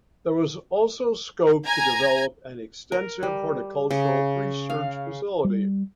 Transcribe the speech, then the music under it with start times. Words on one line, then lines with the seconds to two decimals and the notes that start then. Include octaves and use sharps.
There was also scope to develop an extensive horticultural research facility.
1.66 G#5 A#5 G#6
2.92 A#4
3.23 G3
3.91 C#3
4.70 F5
5.45 G3